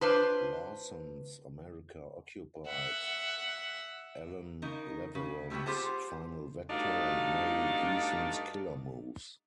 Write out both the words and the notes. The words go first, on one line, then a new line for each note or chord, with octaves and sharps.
Larson's "America Occupied", Allan Leverone's "Final Vector", and Mary Eason's "Killer Moves".
D4 F4 B4 C5 C6
E5 F#5
C#3 D#4 A#4
C#3
G3 A3 B3 E4 F#4 G5
F4 G4 G#4 C5 F#5 A5
G2 A3 D4 D#4 F#4 F5